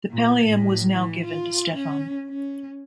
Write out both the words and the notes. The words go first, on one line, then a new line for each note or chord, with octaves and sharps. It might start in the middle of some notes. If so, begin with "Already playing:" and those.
The pallium was now given to Stefan.
A#2
A2
E3
F4
C#4
C#4